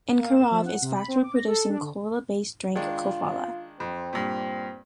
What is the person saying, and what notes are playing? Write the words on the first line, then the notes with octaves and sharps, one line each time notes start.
In Krnov is factory producing cola-based drink Kofola.
A#3
E7
F3
F#5
C3
B5
C4
D6
A#6
A4
D4
D3
D#3 G#3 D4 F4
F2 C4
G2 A#2